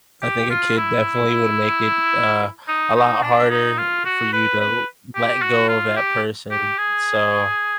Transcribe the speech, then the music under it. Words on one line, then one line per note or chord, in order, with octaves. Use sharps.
I think a kid definitely would make it, uh, a lot harder for you to let go of that person, so,
G4
F4
E4
D#4
D#4
D4
D#4
F4
F#4
B4
B4
G4
F#4
F4
G4
G4
G#4